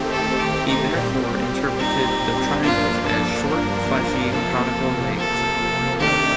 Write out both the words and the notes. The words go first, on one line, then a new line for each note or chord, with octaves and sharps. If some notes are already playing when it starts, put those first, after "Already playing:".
He therefore interpreted the "triangles" as short, fleshy, conical legs.
Already playing: D#3 A3 C4 G4
A4
G4
D#4
A#2 G3 C4 G4
D#4
G2 F3 A#3 D4 F4
A4
A#4
C3 F3 A#3 A4
A4
C3 D#3 A3 D4 G4